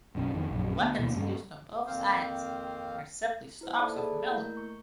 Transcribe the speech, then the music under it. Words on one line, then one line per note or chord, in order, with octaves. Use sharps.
The weapons used on both sides are simply stalks of millet.
F#1 B1 C#4
F2 D#3
A#1 F#2
D2 B3
D2 B2 E3 A#3
G2 C#3 G3
F2 D#3 A#3 C4 C5 F5
E4 B4 C5
A#3 D#4 A4 D5 E5 A5
G#4 A4 D5 A5 B5
A3 A#3 E4 A#4 A#5 G6
C#6